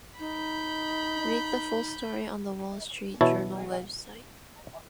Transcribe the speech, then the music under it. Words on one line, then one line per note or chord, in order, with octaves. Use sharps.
Read the full story on the Wall Street Journal website.
D#4 B5 G6
B2 E3 E4 C#5 A5